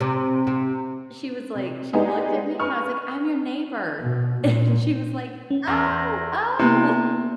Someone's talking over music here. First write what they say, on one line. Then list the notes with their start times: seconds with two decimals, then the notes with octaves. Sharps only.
she was like she looked at me, and I was like, "I'm your neighbor," and she was like, "Oh! Oh!"
0.01 C3
0.47 C3
1.55 C3
1.93 G#3 B3 D4 D#4 G4 G#4
2.60 B4 C#6 F6
4.02 B2
4.41 A#2
5.50 C#4
5.67 E2 A#6
6.59 C3 A#3 B3 E4